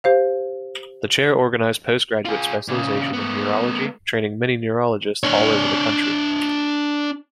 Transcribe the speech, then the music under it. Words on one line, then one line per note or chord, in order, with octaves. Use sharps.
The chair organized post-graduate specialization in neurology, training many neurologists all over the country.
G4 C5 F5
F4 G#4
A#2 C#3
A3 B3
D4 C#5